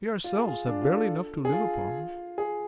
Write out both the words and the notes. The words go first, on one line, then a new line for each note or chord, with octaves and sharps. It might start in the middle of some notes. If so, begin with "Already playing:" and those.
We ourselves have barely enough to live upon.
F4
G#4
F4
D4
F4
A4
G#4
F4
G#4